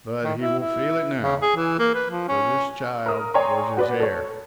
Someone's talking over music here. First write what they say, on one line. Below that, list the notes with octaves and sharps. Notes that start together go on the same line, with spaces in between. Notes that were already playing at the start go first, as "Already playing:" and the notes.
But he will feel it now, for this child was his heir.
D#3
E4
E4
C#3
G#4
E3
A#3
B4
F3
C#4
A#4 D#6
C#5 D5 G5 G#5 A#5 C6
F#4 B4 D5
A4 C#5